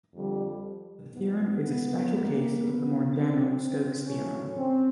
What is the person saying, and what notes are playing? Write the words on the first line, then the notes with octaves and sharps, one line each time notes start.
The theorem is a special case of the more general Stokes' theorem.
F2 D3 G3
G#2 F3 B3
B3
G2 E3 G3 A#3
B3
F#2 D3 F#3 C4
A2 F#3 C#4
C4